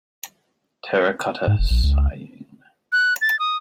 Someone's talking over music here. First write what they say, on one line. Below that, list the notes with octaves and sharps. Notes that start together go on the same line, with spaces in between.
Terracotta sighing.
G#2
F1
A#1
C#2
F#6
A6
D#6